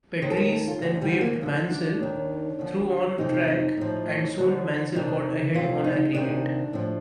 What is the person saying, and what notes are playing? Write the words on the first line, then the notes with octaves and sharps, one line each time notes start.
Patrese then waved Mansell through on track and soon Mansell got ahead on aggregate.
D#2 D#3 C5
A4
A#4
A4
F4
D2 D3 F3
G3
A#3
D2 D3 F3
D4
D#2 D#3
D#2 D3 F3
F2 C3 F3 D#4
D#4
A2 F3
D#2 D3 F3
F2 C3 D#3 D4
D2 C3 F3 F4
D#4
D2 C3 D#3 D4
A2 F3